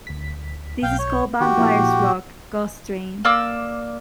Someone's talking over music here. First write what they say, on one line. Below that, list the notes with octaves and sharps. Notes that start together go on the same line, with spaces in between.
This is called Vampires Rock: Ghost Train!
D2 B6
B1 F5 G5 G6
C#5
D#3 F#4 G4
A#2 F3 E4
A#3 D5 D6 E6